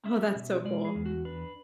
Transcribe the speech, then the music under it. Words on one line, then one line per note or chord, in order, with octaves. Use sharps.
Oh, that's so cool.
C#4 E5
B2
G#3 D5
G#4
E2
F#4
D4 B4